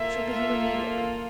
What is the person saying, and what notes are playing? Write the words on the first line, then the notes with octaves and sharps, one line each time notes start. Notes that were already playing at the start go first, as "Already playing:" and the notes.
She'll be home immediately.
Already playing: A#3 F4 A4 E5
E5